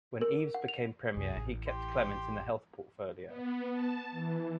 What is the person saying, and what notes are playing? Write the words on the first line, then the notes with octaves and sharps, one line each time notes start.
When Eves became Premier, he kept Clement in the Health portfolio.
A#4
F#5
F7
C2 F#2 G#4
A1 E4
G4 C6
B3
A5
E3